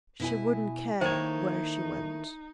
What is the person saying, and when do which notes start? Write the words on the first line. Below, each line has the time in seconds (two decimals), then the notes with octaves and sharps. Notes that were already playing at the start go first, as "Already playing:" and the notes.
She wouldn't care where she went.
0.20 B2 E4 G#5
1.01 D#3 A#3 D#4 E4 A4 C5 C#5 G5